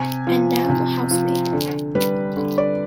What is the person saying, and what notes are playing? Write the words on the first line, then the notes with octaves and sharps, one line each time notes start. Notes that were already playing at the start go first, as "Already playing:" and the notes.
And now I'm a housemaster.
Already playing: C3 G#5
F3
C3
F3
D3
G3 B4
D3
D5